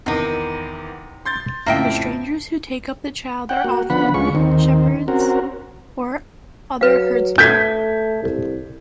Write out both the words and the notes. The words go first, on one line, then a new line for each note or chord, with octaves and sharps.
The strangers who take up the child are often shepherds or other herdsmen.
E2 C3 D#3 D#4 D6
C6 G6 A6
F2 A2 C#3 A#3 E5 G5
F#5 G5
A#3 F#4
D3 F3 B3 F#5 B5
D2 G#3 C#4 F4 C#6
D#2 D#3 C4
C4 C#4 F#4 A#4
F#3 B4 F5
A3 G6 G#6 B6
C2